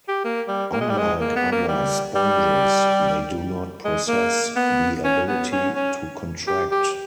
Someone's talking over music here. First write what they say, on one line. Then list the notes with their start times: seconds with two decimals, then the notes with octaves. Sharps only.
Unlike other sponges, they do not possess the ability to contract.
0.08 G4
0.25 A#3
0.48 G3
0.73 A#3
0.81 G#3
0.89 G3
0.98 G#3
1.20 A#3
1.36 B3
1.52 A#3
1.68 G3
2.16 G3
3.85 G#3
4.08 A#3
4.56 B3
5.05 C#4
5.29 B3
5.53 C#4
5.76 C#4
6.47 G4
6.72 G4